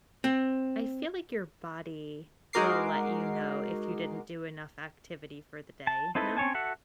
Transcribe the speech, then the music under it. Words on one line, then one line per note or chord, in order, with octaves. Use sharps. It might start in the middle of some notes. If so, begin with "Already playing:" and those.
I feel like your body will let you know if you didn't do enough activity for the day, no?
C4
G#3 D#4 F#4 A#4 D6 C7
A5
C4 D#4 E4 A4 B4
C4 C#4 C#5 G#5 A5
F#4 A4 E5 F#5